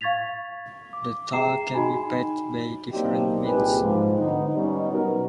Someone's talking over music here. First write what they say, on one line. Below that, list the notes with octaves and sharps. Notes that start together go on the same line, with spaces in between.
The toll can be paid by different means.
F5 C#6 G#6 A6 B6 F7
D6
G#4 E5 G5 A#5 C7 E7
D#4 F#4 D#5 G#5 B5
F#3 A#3 C4 D4 D#4 G4
C2 A#2 D#4 G4 G#4 B4
G#2 F3
D3 B3 D#4
G3 B3 C#4 D#4
B2 F#3 A#4